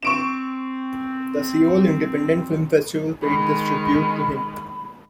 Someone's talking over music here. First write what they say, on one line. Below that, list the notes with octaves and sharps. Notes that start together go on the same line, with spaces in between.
The Seoul Independent Film Festival paid this tribute to him.
C4 C#6 D7 E7
D#3 G#3 B5